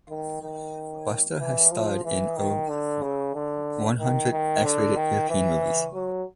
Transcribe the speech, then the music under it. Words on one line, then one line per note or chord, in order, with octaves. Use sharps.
Buster has starred in over one hundred X-rated European movies.
D#3
D#3
E3
F3
E3
D#3
D3
C#3
D3
D#3
D#3
D3
D#3
E3
F#3